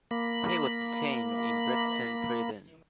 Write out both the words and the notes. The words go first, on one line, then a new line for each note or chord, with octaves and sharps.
He was detained in Brixton Prison.
A#3 B5